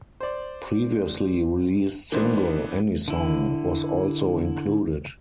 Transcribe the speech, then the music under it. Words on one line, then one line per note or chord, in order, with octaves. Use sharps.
Previously released single "Any Song" was also included.
C5 D5
D#3 E3 B3 D4 C5
D3 E4